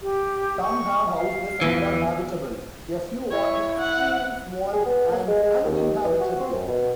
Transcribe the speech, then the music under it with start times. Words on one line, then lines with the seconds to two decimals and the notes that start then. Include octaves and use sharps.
Some have houses and are habitable; a few are extremely small and uninhabitable.
0.01 G4
0.62 C#6
1.14 F5
1.61 E2 G#2 E3
3.31 E4 C#5
3.79 F#5
4.73 G#4
4.86 B3
5.11 A#3
5.28 G#3
5.43 G#3
5.65 D#2
6.05 E3
6.21 F#4
6.40 C4
6.52 F#2
6.68 B2